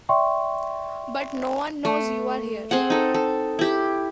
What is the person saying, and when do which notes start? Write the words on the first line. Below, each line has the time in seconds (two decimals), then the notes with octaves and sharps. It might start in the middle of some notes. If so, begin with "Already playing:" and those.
But no one knows you are here.
0.09 D5 E5 G5 C6 C#6
1.85 A3
2.71 C4 G#4 F#5
2.90 D#4 A4
3.14 A4
3.59 E4 G4